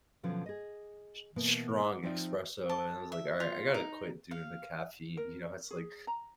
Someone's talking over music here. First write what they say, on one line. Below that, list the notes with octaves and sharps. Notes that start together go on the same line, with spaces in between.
st strong espresso, and I was like, "All right, I gotta quit doing the caffeine," you know, it's, like
B2 D3 F3 F#3 B3 C#4
G#4 D#5
B2 E3 A#3 B3
F3 C4 D#4 F4 D5 E5
A5
E5
F4
D#4
F5
A#4
G#4
A#5